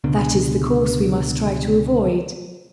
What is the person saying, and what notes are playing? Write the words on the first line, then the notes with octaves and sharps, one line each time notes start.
That is the course we must try to avoid.
C#2 B2 D3